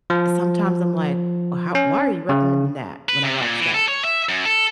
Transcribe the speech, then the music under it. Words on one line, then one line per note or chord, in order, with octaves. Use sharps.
sometimes I'm like, "How why are you recommending that when I watch that?"
F3
C#4
C#3
B4
C3
A#2
E3
A4
C#5
E5
F#2
A4